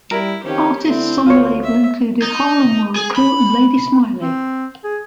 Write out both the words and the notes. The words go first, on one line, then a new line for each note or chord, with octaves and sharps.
Artists on the label included Harlem World Crew and Lady Smiley.
G3 E4 A#4
D#3 F3 C4 C#4 G4
D3 A3 C4 E4
D2 F4 C5 C#5
E5
D#4
G#4
B5
C4
G#4